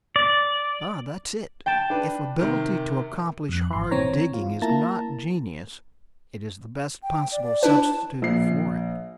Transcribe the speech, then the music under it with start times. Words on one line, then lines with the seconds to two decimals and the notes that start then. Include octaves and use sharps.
Ah, that's it; if ability to accomplish hard 'digging' is not genius, it is the best possible substitute for it.
0.16 D5
1.66 G5 A5
1.90 D4 B4
2.39 C3 D#3
3.49 F2 F#6
3.73 G#1 C6
3.91 E3 C4 C#5 A#5
4.34 F4
4.62 A#3 E4 A5 A#5
7.03 G5
7.32 D5
7.43 D5
7.63 D4 E4 B4 A5
8.22 A#1 C7